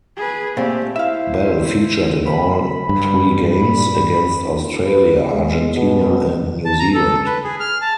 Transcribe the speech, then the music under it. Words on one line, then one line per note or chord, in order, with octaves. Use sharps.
Bell featured in all three games, against Australia, Argentina and New Zealand.
G#4 B4
A#2 A3 C4 G4
E4 C5 E5 F5
B5
G2
B4
G#3
B2
A5
A#5
A4
B4
G#4
F6
A5